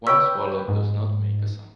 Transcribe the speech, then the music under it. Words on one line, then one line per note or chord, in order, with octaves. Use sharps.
One swallow does not make a summer.
B4 C#5 G5 C#6 E6
G#2